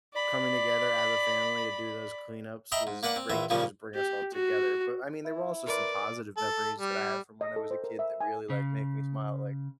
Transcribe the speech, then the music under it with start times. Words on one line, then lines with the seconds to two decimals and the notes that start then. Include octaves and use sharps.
coming together as a family to do those cleanups was great to just bring us all together, but I mean, there were also some positive memories that I have from when I was a kid, that really like make me smile. Like
0.13 D5 B5
2.72 D#5 E5 G5 A#5 B5
2.87 G#2
3.03 A#3 B4 D5 F#5
3.16 C4
3.30 A#1 E3 E5
3.50 A#2 C#3 F3 G3
3.95 G4
4.34 F#4
5.25 E4
5.67 A#4 B4 D5 C6
6.37 A4
6.79 G3
7.41 D#5
7.56 A4
7.71 C5
7.84 A#4
7.99 E5
8.21 G#5
8.50 C#3